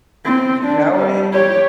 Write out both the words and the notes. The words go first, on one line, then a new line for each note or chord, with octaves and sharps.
You know it.
C4
D4
G3
G4 C#5